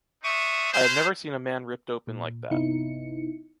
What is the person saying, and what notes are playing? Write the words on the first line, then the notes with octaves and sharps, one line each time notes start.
I have never seen a man ripped open like that.
C4 D4 E5 C#6 D#6
C#4 B4 C5
A#2
G1 C3 B3 D#4 E4 C#7